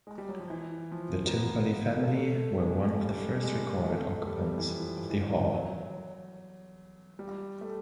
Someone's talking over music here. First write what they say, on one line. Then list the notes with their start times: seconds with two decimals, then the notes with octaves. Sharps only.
The Timperley family were one of the first recorded occupants of the Hall.
0.07 G#3
0.18 G3
0.29 F#3
0.40 F3
0.50 E3
0.92 F3
1.27 A#3
1.33 B3
1.61 A#3
1.89 A3
2.17 A3
2.60 G#3
2.73 A3
2.86 G#3
3.01 G3
3.37 G3
3.43 G#3
3.85 A3
4.27 G3
4.58 E3
4.69 F3
5.10 E3
5.53 F#3
7.19 G3
7.61 A3